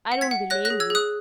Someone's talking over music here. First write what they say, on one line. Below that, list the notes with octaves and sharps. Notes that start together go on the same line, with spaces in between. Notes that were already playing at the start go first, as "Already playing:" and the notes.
I don't blame you.
F#5
G#6 B6
F#5
C#5 F#6 A#6
F#6 A#6
G#4
E6 G#6
G#4 D#6 F#6